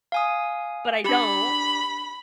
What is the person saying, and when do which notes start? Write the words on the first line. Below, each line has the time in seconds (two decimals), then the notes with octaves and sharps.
but I don't.
0.12 F5 G#5 D#6
1.04 D4 G4 B5